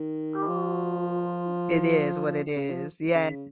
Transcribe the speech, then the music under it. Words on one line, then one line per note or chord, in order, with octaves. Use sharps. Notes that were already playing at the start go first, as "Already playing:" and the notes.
Oh, it is what it is, yes.
Already playing: D#3
F3
F3
C#3
F3
C#3